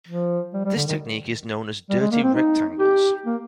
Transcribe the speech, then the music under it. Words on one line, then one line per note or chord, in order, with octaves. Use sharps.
This technique is known as dirty rectangles.
F3
G3
G3
D3
D#3
G3
G#3
A#3
C4
D#4
G4
A#3